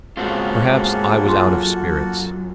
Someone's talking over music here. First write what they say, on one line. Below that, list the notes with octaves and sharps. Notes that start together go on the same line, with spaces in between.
Perhaps I was out of spirits.
G#2 C#3 A#3 C4 F4 F#4 A4
F#2 F4 C6